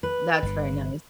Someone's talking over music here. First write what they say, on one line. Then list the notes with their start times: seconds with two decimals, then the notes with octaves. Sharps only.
That's very nice,
0.03 B4
0.43 G1 D3